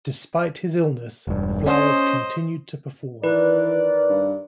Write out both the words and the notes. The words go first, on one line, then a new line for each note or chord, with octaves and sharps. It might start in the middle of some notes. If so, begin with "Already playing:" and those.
Despite his illness, Flowers continued to perform.
E1 G2
C#4 C5 D#5
D#3 E3 A#4 B4 D5
G2